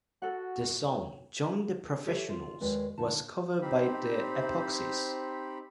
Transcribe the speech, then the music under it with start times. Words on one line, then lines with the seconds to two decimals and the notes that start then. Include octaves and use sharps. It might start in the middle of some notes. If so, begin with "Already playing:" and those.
Their song "Join the Professionals" was covered by the Epoxies.
0.22 F#4 A4 F#5
0.96 F#3
2.06 G4 A4 C#5 E5
2.29 F4
2.61 D#2 G#3 B4 D5
2.98 D3 D#4 A5
3.62 C4 D#4 G4 C5 B5